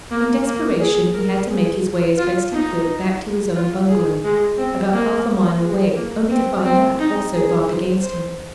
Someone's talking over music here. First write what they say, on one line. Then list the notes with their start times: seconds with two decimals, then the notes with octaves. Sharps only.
In desperation he had to make his way as best he could back to his own bungalow, about half a mile away, only to find that also barred against him.
0.11 A#3
0.46 A#3
0.80 G#4
1.14 A#4
1.48 G#4
2.18 F4
2.52 D#4
3.55 F4
3.89 G#4
4.24 G#3
4.58 C4
4.93 A#3
5.61 G#3
5.96 A#3
6.31 C4
6.65 C4
6.99 D#4
7.34 G#4
7.68 C5
8.01 C5